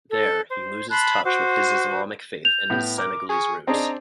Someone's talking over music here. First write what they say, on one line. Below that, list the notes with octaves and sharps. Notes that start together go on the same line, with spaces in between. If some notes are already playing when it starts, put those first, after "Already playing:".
There, he loses touch with his Islamic faith and his Senegalese roots.
A4
C5
A5 B5 C6 F#6
F#4 C5 D6
G6 F7
A2 B3
A#4 D6
G#4 C#6
C4 D4 D#4 G#4 A#5